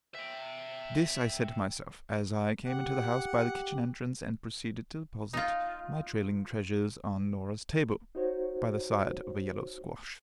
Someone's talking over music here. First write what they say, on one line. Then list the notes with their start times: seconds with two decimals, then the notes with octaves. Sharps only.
This I said to myself, as I came into the house by the kitchen entrance, and proceeded to deposit my trailing treasures on Norah's table, by the side of a yellow squash.
0.14 E5 G5
2.66 G4 F#5
5.33 D#4 F4
8.15 D#4 F#4 C5 C#5